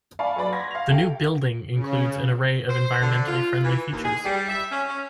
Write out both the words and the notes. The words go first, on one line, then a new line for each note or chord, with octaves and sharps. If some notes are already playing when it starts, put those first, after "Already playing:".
The new building includes an array of environmentally friendly features.
D5 F5 G#5 A5 B5 C#6
F#3 B4 D5 B5 A6
F#5 C6 C#6 G#6 A#6 B6
F5 F7
G4 A4 E5 F5 G5
C#3
C5
D3
F4
E3
D#2
G#4
G3
E5
C#4
C#4